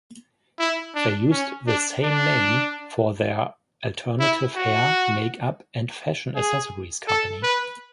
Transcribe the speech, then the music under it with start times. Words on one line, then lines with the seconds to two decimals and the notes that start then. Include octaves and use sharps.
They used the same name for their alternative hair, makeup and fashion accessories company.
0.59 E4
0.95 D4
1.31 C#4
1.67 D4
2.03 D4
4.20 E4
4.56 F#4
6.36 G#4
7.08 A4
7.43 B4